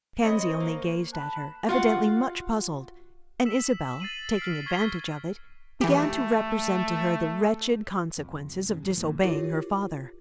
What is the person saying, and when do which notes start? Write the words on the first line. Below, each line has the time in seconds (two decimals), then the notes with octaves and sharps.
Pansy only gazed at her, evidently much puzzled; and Isabel, taking advantage of it, began to represent to her the wretched consequences of disobeying her father.
0.22 C4 C#5 D#5 B5
0.45 A#4 C5 C#6
0.60 A#3
1.14 A5 B5 F#6
1.69 F4 F#4 F5 F#5
3.45 E6 B6 E7
4.00 A6 C7 D#7 F#7
4.37 F6 B6 C7 D7
4.66 C#6 G#6 B6 G7
5.81 E3 A3 G4
8.17 C2 F2
8.69 B1 G2 C#3
8.83 G#2 F3
8.96 A#1 G2 A#2 E3
9.23 E4 F4 G4 A#4 C#5 D6